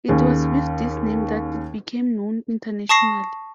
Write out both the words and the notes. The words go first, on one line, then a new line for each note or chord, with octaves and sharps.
It was with this name that it became known internationally.
D#2 C#4 G#4
A5 C#6 D#6 A#6 C7